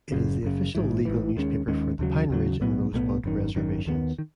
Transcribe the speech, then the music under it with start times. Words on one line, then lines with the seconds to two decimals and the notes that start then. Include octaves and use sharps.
It is the official legal newspaper for the Pine Ridge and Rosebud reservations.
0.12 F#1 F#2 C#3
0.43 F#1 F#2 C#3
0.75 A1 G#2 E3
1.05 A1 G#2 E3
1.36 D#2 D#3 G#3 C#4
1.68 D#2 D#3 G#3 C#4
1.99 D#2 C#3 F#3
2.30 D#2 C#3 F#3
2.61 B1 A2 F#3 B3
2.93 B1 A2 F#3 B3
3.24 G#1 F#2 D#3
3.55 G#1 F#2 D#3
3.86 D#2 D#3 G#3 B3
4.19 D#3